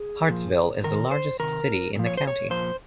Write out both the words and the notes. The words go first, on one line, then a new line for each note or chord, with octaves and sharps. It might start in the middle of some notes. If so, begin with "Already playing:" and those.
Hartsville is the largest city in the county.
Already playing: G#4
A#2 F3
C3 D#3 A#4
C5
C3 D#3 A#4
A#2 F3
C#5
C5
C#5
A#2 F3 C5